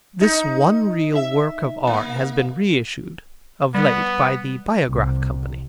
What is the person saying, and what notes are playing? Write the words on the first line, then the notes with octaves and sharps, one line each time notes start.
This one-reel work of art has been reissued of late by the Biograph Company.
D#4
E5
A#3
G3 B3
C2